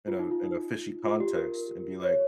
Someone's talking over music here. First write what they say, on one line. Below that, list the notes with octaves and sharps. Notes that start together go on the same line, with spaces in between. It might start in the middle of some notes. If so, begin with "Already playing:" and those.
in a in a fishy context and be, like,
F4
D#4
F4
D#4
F4
G4
A#4
C#5